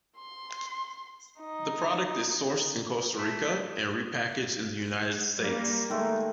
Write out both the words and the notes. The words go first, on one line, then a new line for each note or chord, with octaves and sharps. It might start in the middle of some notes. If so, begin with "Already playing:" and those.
The product is sourced in Costa Rica and repackaged in the United States.
C6
D#4
A3
G3 A#3
D#3 G#3 A3